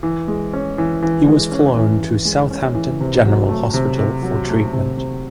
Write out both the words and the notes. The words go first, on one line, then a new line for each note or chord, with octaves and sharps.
He was flown to Southampton General Hospital for treatment.
E3
G#3
C#4
E3
E3
G#3
C#4
E3
E3
G#3
C#4
E3
C3
F#3
A3
C3
C3
F#3
A3
C3
C3